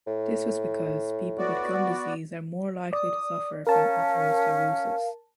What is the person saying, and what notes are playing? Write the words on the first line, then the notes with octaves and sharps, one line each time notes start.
This was because people with gum disease are more likely to suffer from atherosclerosis.
A2
B3 F#4 D5
D5 D#6
C#4 A#4 F5 A5